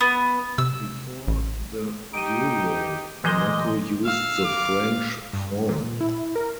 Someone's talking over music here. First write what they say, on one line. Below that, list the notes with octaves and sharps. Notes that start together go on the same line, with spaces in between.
Before the euro, Monaco used the French franc.
B3
C3 E6
A1
D#4 G4 D7 D#7
A#2 E3 G#3 D#5 G6 G7
F5 E6
D6
G2
A#2
E4
A#4